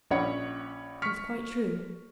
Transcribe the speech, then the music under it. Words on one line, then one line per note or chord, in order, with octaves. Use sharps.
It was quite true.
A#1 C#4 C#5 F#5 B5 C#7
C#6 F6 B6 C#7